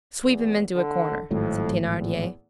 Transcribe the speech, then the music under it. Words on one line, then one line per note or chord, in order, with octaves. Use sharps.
"Sweep him into a corner," said Thenardier.
E2
D3
G#1 F2 A2 F#3
E2